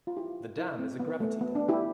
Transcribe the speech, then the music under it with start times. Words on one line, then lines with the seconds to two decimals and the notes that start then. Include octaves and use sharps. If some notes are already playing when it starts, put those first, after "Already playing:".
The dam is a gravity dam.
0.07 F4
0.17 E4 G4
0.58 E4
0.79 C4
1.00 B3
1.20 A3
1.41 B3
1.55 D4
1.68 E4 G4